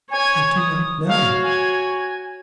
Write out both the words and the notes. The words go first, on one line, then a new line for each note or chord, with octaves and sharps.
"I do not know."
C#5 G#5
D#6
F#4 C#5 F5
G#5